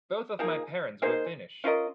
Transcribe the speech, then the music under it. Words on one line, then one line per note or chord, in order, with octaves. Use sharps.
Both of my parents were Finnish.
F3 A#3 D#4 G#4
A#3 D#4 G#4 C5
C#4 F4 A#4 D#5